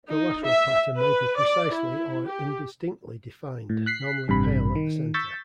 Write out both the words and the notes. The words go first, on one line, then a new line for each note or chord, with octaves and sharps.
The lateral pattern may be precisely or indistinctly defined, normally pale at the center.
D#4
E5
B4
D5
E4
G4
A2
F#6 B6 C7
A1 G2 C3 B5
D#3
C#6 E6 G6 A6 B6